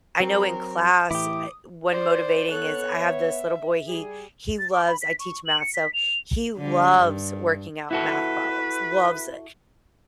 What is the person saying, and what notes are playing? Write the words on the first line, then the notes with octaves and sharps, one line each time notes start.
I know in class, er, one motivating is I have this little boy. He he loves I teach math, so he loves working out math problems. Loves it.
F#3 C4 A#4
A2 E3 E4 G4 D6 D#6
C5 D5
B3 A4 C#5 F#6
E5
G3 G#4
A6
D6
B5
B6
C#6
F#7
C#7
B6
F7
D3 G3
G2
E4 F#4 A4 B4